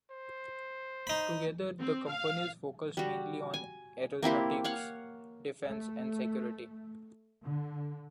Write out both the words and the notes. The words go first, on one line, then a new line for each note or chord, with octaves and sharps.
Together the companies focus mainly on aeronautics, defense and Security.
C5
D#4 B5
C4
F5
G3 F#4
G#5
A#3 C4 E4 G4
C#5 F5 F#5
A3
D3